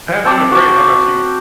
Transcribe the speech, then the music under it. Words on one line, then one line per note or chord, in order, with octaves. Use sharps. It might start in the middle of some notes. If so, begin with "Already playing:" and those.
I'm doing great. How 'bout you?
C4 A5 D6
F#4 D6